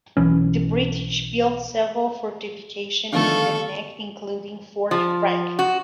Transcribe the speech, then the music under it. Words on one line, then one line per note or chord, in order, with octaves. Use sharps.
The British built several fortifications in the neck, including Fort Franklin.
B1 E3 C#4
D3 D#3 F3 A3 B3 A4 F5 C#6
F3
F#4